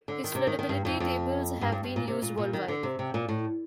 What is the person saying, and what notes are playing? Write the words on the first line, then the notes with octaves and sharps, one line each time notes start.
His floodability tables have been used worldwide.
D3
D#3
C3
D#3
D#3
G2
F2
F2
G2
G2
G2
A#2
C3
A#2
A#2
D#3
D3
C3
C3
A#2
A2